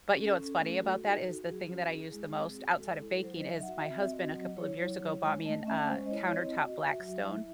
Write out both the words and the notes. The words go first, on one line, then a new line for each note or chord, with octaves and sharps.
but you know what's funny about that is the thing that I use the most outside of baking is my husband a couple of years ago bought me an uh, a countertop Blackstone
C#4 A4
C#4
A3
F#4
D#4
F#4
F#3 G#4
C#4 F#4
E4 G#4
G#3
C4
F#4
G#3 A4
E4 A4
F#3 C5
D#5
D#4 E5
F#5
F#4 E5
C4 E5
F#4 D#5
F#3
E4 C#5
F#3
E4
G#3
A3 D#5
C#4 E5
G#3 C5
D#5
E4 C#5
C#5
C4 D#5
F#4
F#4 E5
F#3
E4